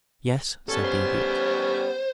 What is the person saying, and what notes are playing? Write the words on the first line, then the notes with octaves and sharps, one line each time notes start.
"Yes," said the Idiot.
G3 B3 C#4 A4
C5